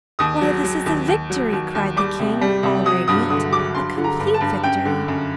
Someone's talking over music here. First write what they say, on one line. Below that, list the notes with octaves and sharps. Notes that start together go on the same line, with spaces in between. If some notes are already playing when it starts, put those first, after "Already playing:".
"Why, this is a victory!" cried the king, all radiant, "a complete victory!"
D#2 D#6
F#3
F#3
D#2
D#2
F#3
D#2
D#2
G3 D6
C2
G3
C2
F#3 D#6
G2 D#6
D3 D#6
F#3 D6
G2 C6
D3
A#5
G2
A5
G2
F#2 G5
D3
F#2